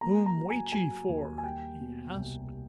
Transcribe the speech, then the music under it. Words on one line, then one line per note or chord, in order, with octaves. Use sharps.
'Whom wait ye for?' he asked.
A#3 A#5
A#5
F#3
G#5
F#3 G#5
D#2
G#5
G3 G5
B2
C2